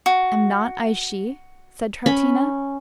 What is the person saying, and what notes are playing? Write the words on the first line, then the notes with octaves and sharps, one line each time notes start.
"Am not I she?" said Troutina.
F#4
C#4 B5